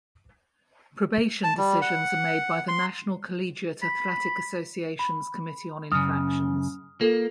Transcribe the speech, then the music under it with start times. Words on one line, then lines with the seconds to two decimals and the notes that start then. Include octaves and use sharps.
Probation decisions are made by the National Collegiate Athletic Association's Committee on Infractions.
1.44 A5
1.58 G3
1.82 F#5
2.68 C6
3.82 B5
4.99 B5
5.92 F#2 C#3 D#6 F6
7.01 A#3 F4 A4